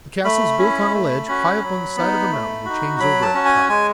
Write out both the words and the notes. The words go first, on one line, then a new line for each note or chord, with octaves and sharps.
The castle is built on a ledge high up on the side of a mountain which hangs over at the top.
A3 B5
C#4 E4
A3
C#4 F#4
F#3
B3 D#4
A3
D#4 F#4
F#3 B5
A5
C#4 F#4
G#5
G#3 G#5